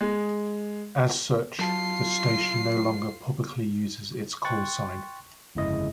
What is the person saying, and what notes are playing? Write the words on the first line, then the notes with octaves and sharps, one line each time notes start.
As such, the station no longer publicly uses its callsign.
G#3
F#3 F4 A5 C7
G5 C6 C#6 F#6 A6
G1 F2 C#3 G#3 E4 D#5